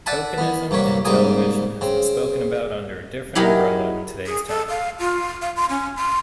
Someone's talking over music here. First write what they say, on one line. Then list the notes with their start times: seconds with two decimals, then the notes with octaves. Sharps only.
Tokenism in television has been spoken about under a different umbrella in today's time.
0.06 D5 E5 F#5 G#5 A5 B5
0.38 E3 B3
0.71 G2 C3 A#3 C#5 B5
1.05 G#2 G3 A#3 C4 G#5 D#6
1.81 C#3 C4
3.35 F#3 E4 G4 G#4 A#4 D#5
4.26 G#4
4.48 A4
4.69 F5
5.00 F4
5.42 F5
5.56 C6
5.69 C#4
5.97 C6